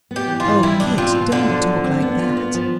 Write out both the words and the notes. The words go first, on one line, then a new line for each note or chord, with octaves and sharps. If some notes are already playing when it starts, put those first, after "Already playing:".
'Oh, Kit, don't talk like that.'
B3
G4
E3
F4
E3
G3 E4
B2 D4
C4 F4
B2
D3 F4
F3
F3
C4
B3
F4
B3
F3